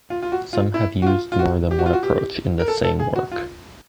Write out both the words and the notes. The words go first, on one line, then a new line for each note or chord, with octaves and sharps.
Some have used more than one approach in the same work.
F4
F4
F#4
F4
E4
F#4
F4
F4
F#4
G4
F#4
F4
F#4
G4
A#4
A4
A4
G#4
F#4
F4